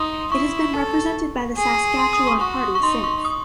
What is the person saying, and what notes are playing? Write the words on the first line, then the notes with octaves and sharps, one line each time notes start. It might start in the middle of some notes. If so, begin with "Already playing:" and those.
It has been represented by the Saskatchewan Party since.
Already playing: D#4 C6 D#6
E4 C#6
A4
G#4
C6
D#6
C#6
F#4 C#6
C#6
D#4 C6
C#6
D#6